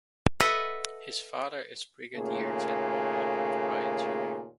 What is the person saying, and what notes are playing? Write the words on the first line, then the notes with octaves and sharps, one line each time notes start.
His father is Brigadier General Albert Bryant Jr.
A4 B4 D#5 E5 F#5
D#2 A#2 C#3 A3 G#4